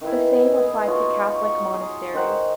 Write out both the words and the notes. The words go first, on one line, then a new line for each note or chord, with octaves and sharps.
The same applied to Catholic monasteries.
D#3 E3 E4
B3 G#4
D#4 F4 F#4 C#5
C#6
G#4
D#3 C5 F#5 A#5